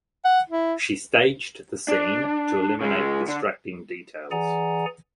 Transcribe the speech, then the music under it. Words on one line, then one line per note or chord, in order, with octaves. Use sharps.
She staged the scene to eliminate distracting details.
F#5
E4
D4
C#3 G#3
D3
E3 G#4 D5 F#5 G#5 A#5